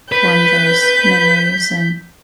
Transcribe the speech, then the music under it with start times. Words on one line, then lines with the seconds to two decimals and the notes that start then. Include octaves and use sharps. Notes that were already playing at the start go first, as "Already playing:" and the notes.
form those memories, and
0.12 B4 G6 B6